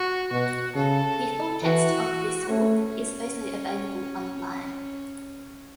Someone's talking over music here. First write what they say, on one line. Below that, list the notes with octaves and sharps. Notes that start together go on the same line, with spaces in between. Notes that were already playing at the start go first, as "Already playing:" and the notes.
The full text of this book is also available online.
Already playing: F#4
B2 F#4
C#3 A4
E3 F#4
A3 C#4